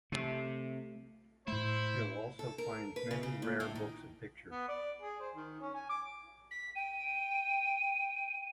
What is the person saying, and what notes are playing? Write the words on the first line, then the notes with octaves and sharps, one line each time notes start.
You'll also find many rare books and pictures.
C3 A3
A2 A3 E4 C5
A4
A#4
B4
C#3
C#3
A#2
A2
D#3
B3
D5
G#4
C5
D#3
C#4
G#5
D6
B6
G5 D#7